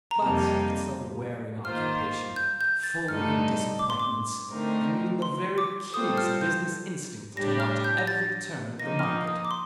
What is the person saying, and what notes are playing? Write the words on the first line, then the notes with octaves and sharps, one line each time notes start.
But it's a wearing occupation, full of disappointments, and needing the very keenest business instinct to watch every turn of the market.
A#5
F2 C3 G3 A#3 D#4 A5
D#3 A#3 F4 C5 F6
G6
G6
A6
G2 D3 A3 D#4 A4 F6
D6
C6
D6
D3 A3 C4 D#4 A#4
C6
D6
G3 C4 F4 A4 C5 D#6
F6
G6
A2 G3 D4 G4 A#6
F6
G6
A#6
A6
F3 A#3 D#4 A#6
F6
D#6
D#6
D6
C6